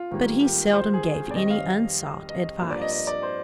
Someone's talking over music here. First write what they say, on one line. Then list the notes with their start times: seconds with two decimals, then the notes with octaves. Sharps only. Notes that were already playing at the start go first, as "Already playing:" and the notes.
But he seldom gave any unsought advice.
Already playing: F4
0.11 G#2 D#3 G3 A#3
0.42 G4
0.73 C5
0.94 G#4
1.31 D5
1.35 F2 D#3 G3 D#5
1.50 F5
2.29 D#5
2.59 G2 F3 A#3
2.70 D5
2.81 D#5
2.92 D#5
3.07 D5
3.23 C5